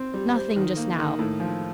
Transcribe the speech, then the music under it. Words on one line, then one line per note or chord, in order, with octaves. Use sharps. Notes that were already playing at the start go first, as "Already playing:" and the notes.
'Nothing just now.
Already playing: C4
G3
C5
D#3
A#3
D#3
A2
F3